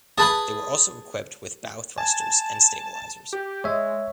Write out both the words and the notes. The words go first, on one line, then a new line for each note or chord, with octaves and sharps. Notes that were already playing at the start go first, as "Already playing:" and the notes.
They were also equipped with bow thrusters and stabilizers.
G#4 B4 A5 B5
G#5 A5
G4
G#3 C#5 E5